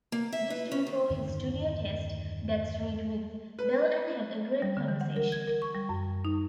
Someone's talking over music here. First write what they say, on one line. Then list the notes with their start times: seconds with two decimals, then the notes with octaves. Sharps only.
Just before his studio test, Daggs read with Bell and had "a great conversation".
0.12 A#3
0.32 E5
0.50 B4
0.72 C#4
0.87 D#3
1.10 E2 G2 D3 D#3
3.59 B4
4.62 G3
4.77 D3
4.88 E3
5.01 F#5
5.16 A#4
5.32 G#6
5.47 A#4
5.62 C#6
5.75 G3
5.89 F#2
6.25 D#4